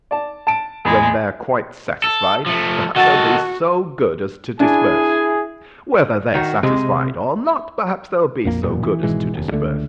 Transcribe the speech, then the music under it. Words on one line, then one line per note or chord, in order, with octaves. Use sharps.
When they’re quite satisfied, perhaps they’ll be so good as to disperse; whether they’re satisfied or not, perhaps they’ll be so good as to disperse.
D5 A5
A5 D7
E2 G#3 B5
A4
F3 A3
D#3 F#4 A4 F#5 A6
D4 E4 G#4 G#5
D#3 F#4
C3 G#3
A#1 F2 A#3
E1 F#2 A#2
E3
G#1 B2 E3 G#3
F1 D#2
C#2 D3 A3